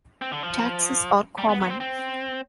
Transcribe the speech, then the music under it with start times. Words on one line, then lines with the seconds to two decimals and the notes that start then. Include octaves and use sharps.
Taxis are common.
0.22 C4
0.32 D3
0.43 F3
1.38 G3
1.49 B3
1.61 B3
1.70 C4
1.80 C4